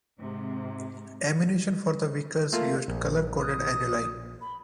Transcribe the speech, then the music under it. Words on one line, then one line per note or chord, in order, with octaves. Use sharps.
Ammunition for the Vickers used colour-coded annuli.
G#2 C3
A3 A#3 F4
A#1 A#4
D#6
B5